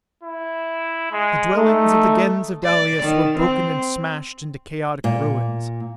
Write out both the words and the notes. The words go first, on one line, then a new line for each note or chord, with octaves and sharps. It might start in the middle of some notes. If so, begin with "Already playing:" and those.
The dwellings of the Gens of Dalis were broken and smashed into chaotic ruins.
E4
G#3
A3 D#4
D5
D#3
C4
A#2